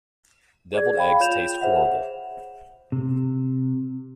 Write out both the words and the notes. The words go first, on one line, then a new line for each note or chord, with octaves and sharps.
Devilled eggs taste horrible.
G#4 D5 G#6
F5 G5 B5
F4 C#5 G6 E7 F7
G#4 C5 E5 F#5
C3